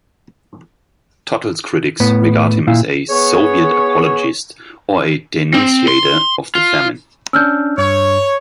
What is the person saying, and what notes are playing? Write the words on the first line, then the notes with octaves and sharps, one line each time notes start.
Tottle's critics regard him as a "Soviet apologist", or a "denunciator" of the famine.
A2 B3
A#2 E4 F5
B3 G#4 C#5
C4
C6
F4
C#4 D4 E6 F6 G6
G2 C#5